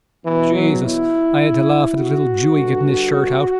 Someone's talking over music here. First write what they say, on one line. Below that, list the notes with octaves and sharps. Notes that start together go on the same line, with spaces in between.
Jesus, I had to laugh at the little jewy getting his shirt out.
E2 B2 E3
F#3
E4
F#4
G2 D3